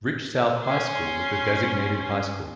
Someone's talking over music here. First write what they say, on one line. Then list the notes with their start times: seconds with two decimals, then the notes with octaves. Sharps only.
Rich South High School is the designated high school.
0.65 C#4 C6